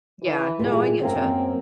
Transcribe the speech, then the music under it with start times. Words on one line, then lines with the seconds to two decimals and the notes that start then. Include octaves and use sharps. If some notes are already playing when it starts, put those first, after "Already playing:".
Yeah, no, I get ya.
0.23 E3
0.59 A#2 E3 G3 G#4
1.01 F#2 A#3 C4 A#4